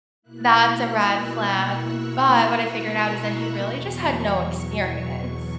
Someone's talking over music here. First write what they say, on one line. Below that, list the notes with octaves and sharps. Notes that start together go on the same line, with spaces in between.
that's a red flag." But, what I figured out is that he really just had no experience.
B2 A#3 E4 F#6
E6
C#6
C#6
C#6
A#5
B5
E2 B2 F#3 C#6